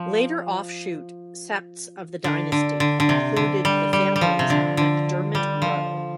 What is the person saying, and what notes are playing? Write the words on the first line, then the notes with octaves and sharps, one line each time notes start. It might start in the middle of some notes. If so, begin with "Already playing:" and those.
Later offshoot septs of the dynasty included the families of MacDermot Roe.
Already playing: F3
D3
D3
D3
D3
C3
D3
G3
G3
G3
F3
C3
D3
D3
G3
F3